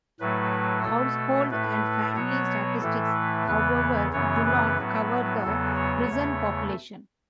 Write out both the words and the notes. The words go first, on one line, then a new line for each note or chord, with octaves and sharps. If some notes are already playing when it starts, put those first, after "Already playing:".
Household and family statistics, however, do not cover the prison population.
A2 F#3 A3 B4
B2 A3 A4
A2 A3 B4
B2 F#3 B3 C#5
A2 E3 A3 A4
B4
E2 C#3 E3 B3 B4
F#2 C#3 E3 B3 C#5
B4
A2 F#3 B3
E2 C#3 F#3 B3 A4
C#5
E2 C#3 A3